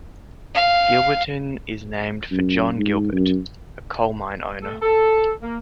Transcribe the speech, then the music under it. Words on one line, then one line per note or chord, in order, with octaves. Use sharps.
Gilberton is named for John Gilbert, a coal mine owner.
F5
F#2
G#2
F#2
A3 A4
A4
A#3